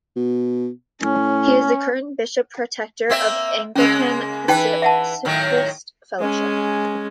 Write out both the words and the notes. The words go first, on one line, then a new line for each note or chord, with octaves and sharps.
He is the current Bishop Protector of the Anglican Pacifist Fellowship.
B2
A2 C#4
A#3 C4 E5
C#3 G#3 A#3 C#4
E3 D#4 B4 G5
E5 F#5 A5
A2 D#3 F#3
G#3 C#4